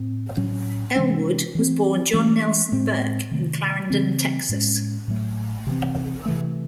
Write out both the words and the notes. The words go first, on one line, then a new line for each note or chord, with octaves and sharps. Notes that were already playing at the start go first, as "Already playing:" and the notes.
Ellwood was born Jon Nelson Burke in Clarendon, Texas.
Already playing: A2 C4
A2 F#3 C#4
C3 E3 G#3 C#4
E3 C4
E3 G#3 C#4
A2 G#3 C4
C3 D#3 A3
C#3 E3 C4
A2 G#3 C#4
A2 F#3 A3
C3 E3 C4
C3 E3 A3